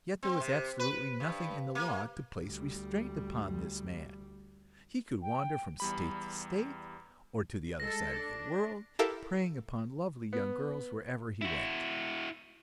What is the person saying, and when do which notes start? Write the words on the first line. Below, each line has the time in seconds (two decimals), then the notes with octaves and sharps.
Yet there was absolutely nothing in the law to place restraint upon this man; he could wander from state to state, or to the other side of the world, preying upon lovely young girls wherever he went.
0.23 C4
0.40 C3
0.80 B4
1.20 G2
1.75 A#3
2.41 D2 G3
5.22 G5
5.80 E2 G3 B5
7.80 G#3 A4 A#6
8.15 D4
8.99 E4 G4 A4 A#4 F5
10.33 B3
11.42 E4 F#4